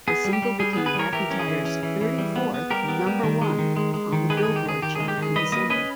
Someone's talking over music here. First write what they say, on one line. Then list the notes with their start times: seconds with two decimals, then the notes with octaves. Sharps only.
The single became McEntire's thirty-fourth number-one on the "Billboard" chart in December.
0.08 B3 G#4
0.25 G3
0.33 G4
0.42 G3
0.60 G3 G#4
0.73 G#4
0.77 B3
0.86 G#4 B4
0.95 G3 A#4 C#5
1.13 E3 G4 A#4
1.31 C#4
1.39 G#4
1.48 E3
1.65 C#4
1.83 E3
2.01 E3
2.18 G3
2.36 B3
2.54 B3
2.70 G3 G4 A#4
2.88 B3
3.06 G3
3.23 D#3
3.41 G#3
3.59 D#3
3.76 G#3
3.94 G#3
4.13 D#3
4.30 G#3 G#4 B4
4.37 G4
4.43 D#3 G#4
4.56 G4
4.65 D#3 G#4
4.82 D#3 G4
4.95 G#3 G#4
5.08 G4
5.18 D#3 G#4
5.36 G3 B4 D#5
5.52 A#3 B4 D#5
5.70 C#4 B4 D#5